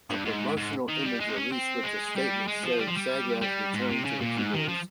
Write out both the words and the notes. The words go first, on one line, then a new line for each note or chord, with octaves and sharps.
A promotional image released with the statement showed Shagrath returning to the keyboards.
G2
G#2
G#2
D#3
G3
G#3
C4
C#4
C4
G#3
G3
G#3
F3
G3
F3
G3
G3
G#2
C3
C#3
A#2
G#2
D#3
F3